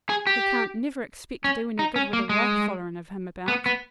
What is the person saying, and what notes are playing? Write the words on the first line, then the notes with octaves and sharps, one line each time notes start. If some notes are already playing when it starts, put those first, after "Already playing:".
He can't never expect to do any good with a wife follerin' of him about.
G#4
G4
C#4
D#4
C#4
A#3
G#3
B3
B3